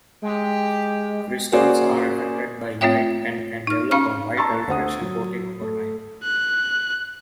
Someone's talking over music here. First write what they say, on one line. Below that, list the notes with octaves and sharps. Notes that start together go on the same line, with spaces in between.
Crystals are affected by light and can develop a white alteration coating over time.
G#3 G4 G5
A#3 C#4 F#4 G#4 C5 D5
A3 C4 F4 C#5 E5 G5
D#4 F6
C#4 F5 A#5 C#6 F6
A5 A#5 C6 C#6 E6 A6
D2 C5 F#5 D#6
F#3
A3
F#6